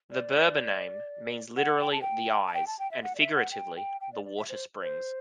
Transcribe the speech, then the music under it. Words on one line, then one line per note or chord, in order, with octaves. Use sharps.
The Berber name means literally "the eyes" and figuratively "the water springs".
D5
F#5
G5
A5
G5
A5
G5
A5
G5
E5
F#5
D5
E5
F#5
G5
G5
G5
D5
D5
E5
C5
C5